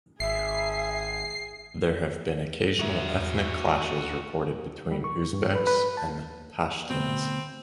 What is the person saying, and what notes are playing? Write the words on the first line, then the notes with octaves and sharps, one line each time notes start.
There have been occasional ethnic clashes reported between Uzbeks and Pashtuns.
G#1 G#4 E5 C7
F#4 E5
G3
C#6
G2
B4
B4
A5
D2 G2 B2 C4